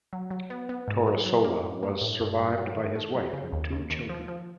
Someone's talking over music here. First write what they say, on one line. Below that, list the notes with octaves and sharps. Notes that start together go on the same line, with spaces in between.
Torresola was survived by his wife and two children.
F#3
F#3
B3
B3
G#2
F#3
F#3
A#3
A2
A#3
A2
G2
G2
F#3
D#3
A3
F#3
C#3
D#2
D#2
D#2
F3
F3